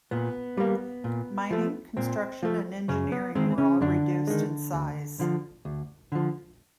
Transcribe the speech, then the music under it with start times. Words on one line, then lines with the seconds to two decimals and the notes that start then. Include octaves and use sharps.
Mining, construction and engineering were all reduced in size.
0.11 A#2 B3
0.57 G3 A#3
1.04 A#2
1.51 F3 A3
1.97 A#2 C4
2.43 F3 A3
2.88 F#2 C#3 C#4
3.12 B3
3.35 D#3 G#3 C4
3.50 C4
3.58 C#3 C#4
3.81 F#2 D3 D4
4.27 D#3 G#3
4.73 D2
5.20 D3 F3
5.65 D2
6.12 D3 F3